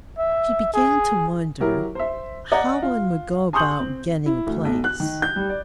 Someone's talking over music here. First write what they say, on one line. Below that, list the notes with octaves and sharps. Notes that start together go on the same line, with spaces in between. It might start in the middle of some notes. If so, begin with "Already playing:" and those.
She began to wonder how one would go about getting a place.
E5
G#4
F#3 E4 G4 A#4
C5 E5
D5 D#5 F#5 A#5
F4
G#5 C6 C#6 D#6 G6 F#7
C4
E4
D2
B1
F#6
D#3
G6
G3
D5